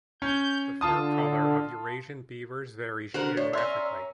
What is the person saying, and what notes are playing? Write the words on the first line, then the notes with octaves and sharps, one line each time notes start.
The fur colour of Eurasian beavers varies geographically.
C#4 G6
D3 F4 A5 D#6
D3 F#4 A#4 C5 F#5
A2 C#5 D5
C#4 A#4 E5 C6